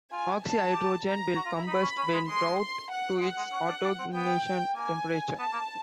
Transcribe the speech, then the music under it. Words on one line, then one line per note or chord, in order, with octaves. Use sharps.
Oxyhydrogen will combust when brought to its autoignition temperature.
F4 G#5
A5
G4
A#5
F#4
F4
E4
D#4 B5
C#4
C#4
G#3
G#3 C6
C6
F#5
G#3 F#5
G#3
C#4
D4
D4
C4
B3 G5
A#3 G#5
B3 A5
A#3